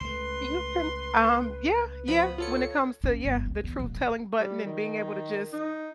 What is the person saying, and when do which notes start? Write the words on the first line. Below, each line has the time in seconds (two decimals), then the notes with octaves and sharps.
You can, um Yeah, yeah, when it comes to yeah, the truth-telling button and being able to just
0.01 C#2 A3 B4 C6
2.08 F3 B3 B5
2.38 F4 A4 C#5 C#7
3.04 C#4
3.25 G1
3.46 C#2
3.64 E2
3.79 D#1
3.95 D#4
4.40 G3
4.65 D#3
5.53 D#4